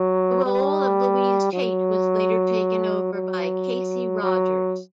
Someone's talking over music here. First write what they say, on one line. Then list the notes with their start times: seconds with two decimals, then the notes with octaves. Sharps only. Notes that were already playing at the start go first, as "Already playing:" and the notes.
The role of Louise Tate was later taken over by Kasey Rogers.
Already playing: F#3
0.46 G3
1.53 F#3
3.14 F#3
4.23 F#3